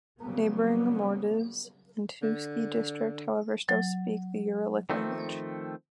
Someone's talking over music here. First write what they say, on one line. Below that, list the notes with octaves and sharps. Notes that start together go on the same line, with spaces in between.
Neighbouring Mordvins in Tetyushsky District, however, still speak a Uralic language.
C#3 F#3 G3 A#3 B3
D3
F#3
D#3 F3 A3 C4